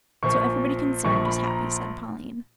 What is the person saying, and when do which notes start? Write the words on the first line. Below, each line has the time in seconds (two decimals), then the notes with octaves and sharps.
"So everybody concerned is happy," said Pauline.
0.23 A#1 A#2 F3 C#6
1.04 A#1 A#2 F3 C#6
1.25 B5
1.46 A#5